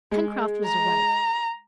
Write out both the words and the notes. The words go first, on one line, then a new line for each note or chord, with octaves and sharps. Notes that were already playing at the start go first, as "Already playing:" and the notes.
Pencroft was right.
G#3
A#5